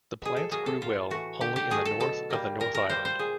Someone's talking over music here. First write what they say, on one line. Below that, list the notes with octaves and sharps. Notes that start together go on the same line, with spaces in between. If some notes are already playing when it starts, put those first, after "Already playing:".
The plants grew well only in the north of the North Island.
B2 G#4
A4
F#3 A#3 G#4
A4
A2 F4
E3 A3 F#4
D3 G4
G4
F#3 A3 G#4
A4
B2 A4
G3 A#3
A#2 A#4
A#4
G3 A#3 C5
C5
A#2 G#4